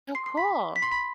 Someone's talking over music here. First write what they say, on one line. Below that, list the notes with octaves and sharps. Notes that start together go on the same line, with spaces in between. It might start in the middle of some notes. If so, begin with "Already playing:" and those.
Oh, cool.
C6 C7
C6 C7
B5 B6
B6
C6 C7
B5 B6